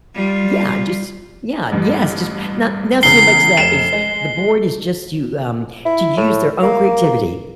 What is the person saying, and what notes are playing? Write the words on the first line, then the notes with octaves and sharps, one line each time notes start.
Yeah, just yeah, yes, just not not so much that is the board is just to, um, to use their own creativity,
G3 F4
A1 G2
E2 C#3 C7 G7
F1 E7
G#3
E4
A2
A#3